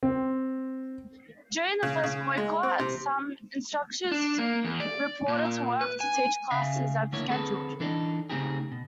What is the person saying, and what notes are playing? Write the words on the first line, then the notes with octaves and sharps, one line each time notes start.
During the first boycott, some instructors reported to work to teach classes as scheduled.
C4
C#3
C#3
G#3
C4
C3
D4
A#3
E2
D5
A#2
B4
G#5
C#3 E5 F5 G#5
D3 A3 A#3 E4 C#5
D3 C4 G#4 A4 B4
E3 D4 D#4 A4
C#3 A3 C4 D#4 G4 G#4
B2